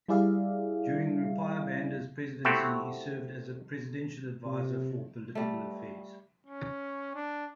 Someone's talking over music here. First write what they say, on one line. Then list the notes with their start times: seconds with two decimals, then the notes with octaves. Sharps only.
During Rupiah Banda's presidency, he served as a Presidential Advisor for Political Affairs.
0.08 G3 E4 G#4 D5 E5 F5
2.45 A3 C4 E4 F#4 G4 A4
4.45 C3
5.35 G3 A3
6.46 C#4
7.15 D4